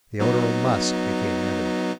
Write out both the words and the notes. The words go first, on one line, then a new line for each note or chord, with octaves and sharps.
The odor of musk became evident.
F#3 B3 D#4